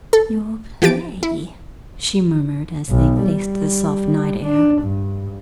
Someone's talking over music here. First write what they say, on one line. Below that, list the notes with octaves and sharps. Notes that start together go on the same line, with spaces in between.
"Your play!" she murmured, as they faced the soft night air.
A4
E3 F3 G4 A6 D7
E4
B1
G3
D4
G2